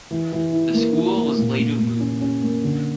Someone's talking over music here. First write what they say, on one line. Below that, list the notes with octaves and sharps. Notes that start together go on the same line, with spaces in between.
The school was later moved.
E3
E3
E4
A#3
E4
A#3
A#2
A#2
A#2
C#4
C#4
A#3
D3